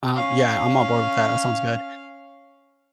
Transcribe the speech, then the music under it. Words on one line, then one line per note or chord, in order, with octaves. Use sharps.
Um, yeah, I'm on board with that, that sounds good.
C#4 F5